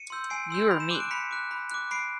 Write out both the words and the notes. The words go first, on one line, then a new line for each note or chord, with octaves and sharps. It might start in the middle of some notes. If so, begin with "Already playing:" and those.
You or me?
Already playing: C#7 D#7
C6 E6 G6
G#5 C7 D7
C6 E6 G6
B5
E7
D6 F#6 D#7
D7
B5 B6 C#7
D6 F#6
B5
D6 F#6
B5 C7 D7